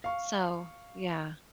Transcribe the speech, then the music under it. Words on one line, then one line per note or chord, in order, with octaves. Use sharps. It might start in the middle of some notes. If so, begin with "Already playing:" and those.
So, yeah.
F5 C#6